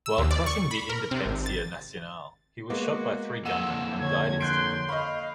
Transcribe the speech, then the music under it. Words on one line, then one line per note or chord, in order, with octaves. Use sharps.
While crossing the Independencia Nacional, he was shot by three gunmen and died instantly.
E6
D#2
D5
C#6
B5
A#4
C3
G#1
A6
G#3 A#3 B3 F#4 D6
F2 A#3 F#5 E6 D#7 E7
D3 C#5 C#6 G#6
C6 F#6 G6 D7
D#5 F5 B5 C#6